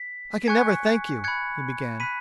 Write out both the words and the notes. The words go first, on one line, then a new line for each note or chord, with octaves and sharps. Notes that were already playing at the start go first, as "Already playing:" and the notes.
"I can never thank you," he began.
Already playing: B6
G#5 C#6 F#6 G#6 C#7
B5 F#6 G#6 C#7
B5 F#6 B6 D#7